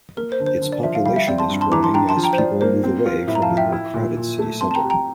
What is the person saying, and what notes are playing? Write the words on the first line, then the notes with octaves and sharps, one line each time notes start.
Its population is growing as people move away from the more crowded city center.
A#3 A#4
C5
D3
C5
D3
D5
F3 E5
F5
G3 F5
E5
C4 D5
A5 C6
G2
A5 C6
E3 A#5 D6
A5 C6
D4 G5 A#5
A5 C6
F3
G5 A#5
C5
F3 D5
A#3 C5
C4
F4
A2 E5
A#5
F5 A5
F3
E5 G5
E4
A#2
A#2
A3
C4 A5 C6
A5
G5 A#5
G4
G5 A#5